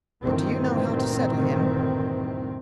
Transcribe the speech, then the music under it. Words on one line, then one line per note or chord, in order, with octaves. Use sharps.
'But do you know how to settle him?
D2 G2 A#2 D#3 E3 C4